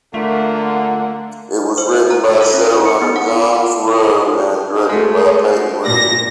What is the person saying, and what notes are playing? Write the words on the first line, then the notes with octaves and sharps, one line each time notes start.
It was written by showrunner Jon Favreau and directed by Peyton Reed.
D3 A3 A#3 F4 F#5
C5
E5
A#5
F#6
A4
C#4
C5
C#7
B3
F#5
B5
G#3 A3
A#2 D5 A#6